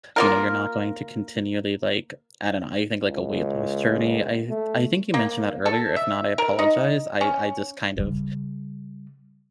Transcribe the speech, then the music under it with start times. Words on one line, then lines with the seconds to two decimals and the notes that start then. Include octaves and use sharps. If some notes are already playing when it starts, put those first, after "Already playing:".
You know, you're not going to continually, like I don't know, I think, like, a weight loss journey. I th I think you mentioned that earlier, if not, I apologize. I I just kind of
0.16 A#3 F4 A#4
3.06 C#2
4.50 A3
5.14 A#3
5.66 A4
5.96 E5
6.38 A#4
6.59 D#4
7.21 C#4
7.98 C#3 G3